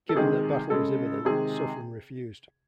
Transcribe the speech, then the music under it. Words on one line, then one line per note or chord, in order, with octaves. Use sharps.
Given that battle was imminent, Suffren refused.
A4
C3 D#3 G#3 G#4
C#3 G#3 A4
C3 D#3 G#3 G#4